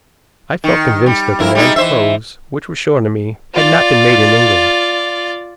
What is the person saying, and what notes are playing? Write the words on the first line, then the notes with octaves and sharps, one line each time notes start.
I felt convinced that the man's clothes, which were shown to me, had not been made in England.
D#3
G3
F2 E4 A#4
G3 G#3 D#4
E3 C5 E5
F4 D5